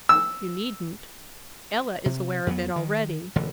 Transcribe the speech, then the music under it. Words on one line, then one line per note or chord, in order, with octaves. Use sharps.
"You needn't--Ella is aware of it already."
E6
C3
F2 F#3 B3
D#3
E1 A1 D3